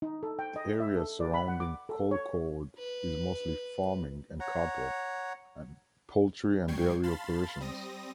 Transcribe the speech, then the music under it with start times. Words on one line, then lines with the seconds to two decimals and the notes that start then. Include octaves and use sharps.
The area surrounding Colcord is mostly farming and cattle, poultry and dairy operations.
0.02 D#4
0.23 A4
0.39 G5
0.56 D#5
0.80 E5
0.96 A4
1.20 D5
1.34 B5
1.48 F#5
1.60 D6
1.89 A4
2.11 C#5
2.78 B4
4.40 C#5 F#5 A#5
6.68 F#2 G3 G5 C#6 G#6 C7
7.03 F5 A5 B5 C6 A6
7.60 G3 C4 D#6 A#6